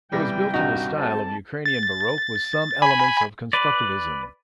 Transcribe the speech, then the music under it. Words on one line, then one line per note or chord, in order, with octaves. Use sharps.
It was built in the style of Ukrainian Baroque with some elements of Constructivism.
G1 C3 E3 G3 G5 A#6
D#1 C2 G2 D#4 F#4
C4 A4 A5
A6
G#5 B5
B4 D5